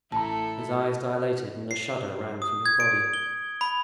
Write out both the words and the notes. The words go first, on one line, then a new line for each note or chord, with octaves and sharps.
His eyes dilated and a shudder ran through his body.
A1 A2 E4 A4 A5 A#5
C7
D#6
G#6
D7
G7
B5